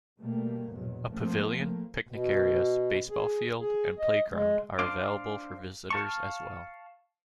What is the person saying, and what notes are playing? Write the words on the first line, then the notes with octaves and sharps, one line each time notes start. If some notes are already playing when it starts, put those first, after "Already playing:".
A pavilion, picnic areas, baseball field, and playground are available for visitors as well.
B2 G3 A3 A#3
A#1 E2 G#2 B2 F#3
A2 F3 A3 A#3 C4
A3 A#3
B2
G#4
G#4
D#5
G#3
D4 C5 F5 D6
F5 A5 C#6